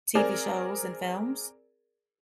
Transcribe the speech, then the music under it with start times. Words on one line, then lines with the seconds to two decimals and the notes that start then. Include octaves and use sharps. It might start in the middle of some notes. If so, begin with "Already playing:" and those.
TV shows and films.
0.15 C4 G#4 A#4 D5